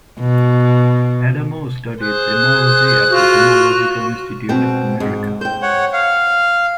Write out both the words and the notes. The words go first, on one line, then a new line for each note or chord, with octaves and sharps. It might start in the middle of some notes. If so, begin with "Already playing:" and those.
Adamo studied gemology at the Gemological Institute of America.
B2
G#4 C5 F#6
F4 F#4
B2 C4 G5
G#2
C5 G5 G6
C#5 F#5
F5